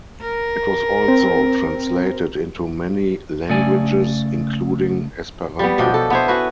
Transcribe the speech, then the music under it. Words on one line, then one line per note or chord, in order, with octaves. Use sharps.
It was also translated into many languages, including Esperanto.
A#4
C4
C#3 A3 D5 G#5
G3 B3
B2 F3 D4 G5
A4
B3 E4 C5
C#4 F#4 B4